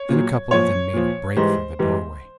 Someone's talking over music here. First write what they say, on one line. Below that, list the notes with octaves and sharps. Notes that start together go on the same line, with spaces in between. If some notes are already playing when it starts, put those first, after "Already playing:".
Then a couple of them made a break for the doorway.
Already playing: C#5
A#2 F#3
A#2 F3 C#5
A#2 F3
G#2 E3 G3 C5
G#2 E3 G3